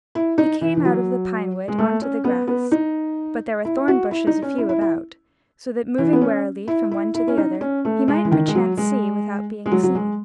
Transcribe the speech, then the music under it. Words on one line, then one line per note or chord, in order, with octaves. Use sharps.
He came out of the pinewood on to the grass; but there were thornbushes a few about, so that moving warily from one to the other, he might perchance see without being seen.
E4
D#4
E3
E3
F#3
G#3
A3
C#4
B3
B3
D#4
E4
E4
F#4
E4
D#4
C#4
E4
E4
E4
E3
B3
C#4
E4
E4
E4
C#4
D#4
C#4
A3
G#3
E3
D#3
G#3
F#3
G#3
G#3
F#3
F#3
G#3